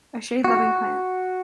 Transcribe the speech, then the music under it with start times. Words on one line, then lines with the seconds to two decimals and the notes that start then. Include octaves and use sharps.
A shade loving plant.
0.44 F#4